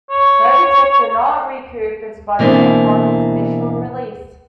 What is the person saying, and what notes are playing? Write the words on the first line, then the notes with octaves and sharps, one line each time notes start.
"Moby Dick" did not recoup its budget upon its initial release.
C#5
B2 E3 A#3 C4 D4